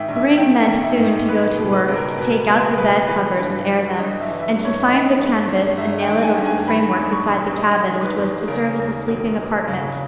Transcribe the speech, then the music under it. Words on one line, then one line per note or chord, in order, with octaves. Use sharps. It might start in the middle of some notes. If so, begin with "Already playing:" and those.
Thryng meant soon to go to work, to take out the bed covers and air them, and to find the canvas and nail it over the framework beside the cabin which was to serve as a sleeping apartment.
Already playing: G#2 D#3 E5 G5
A#1
E5
A#1 G5
D#3
E5
G#2
C#2 B4
B4
B2
B4
C#2
A#4
B2 B4
C#2 B4
B2 B4
E3 B4
G2
G1
G1 D#5
E5
E3
E5
G2
C#5
D#3 D#5
G2
G1
G1 E5
G5
D#3
G#5
G2
G#5
D#3 B5
B5
E2
C#6
E1
B5
E1 D#5
D#3
B4
E2
C#3 A#4
D#2
E1
E3
C#3